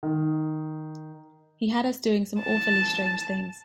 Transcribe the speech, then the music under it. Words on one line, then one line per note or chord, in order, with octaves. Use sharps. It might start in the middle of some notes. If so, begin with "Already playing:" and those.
He had us doing some awfully strange things.
D#3
A5